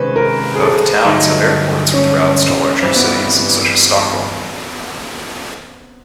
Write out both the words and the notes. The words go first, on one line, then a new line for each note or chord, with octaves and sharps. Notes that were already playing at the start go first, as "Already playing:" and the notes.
Both towns have airports with routes to larger cities such as Stockholm.
Already playing: C3 D#3 G#3 C#4 B4 C5
A#4
G#4
A4
G2 D3 F#3 A3 D#4
C#4
G2 E3 G3 C4
B3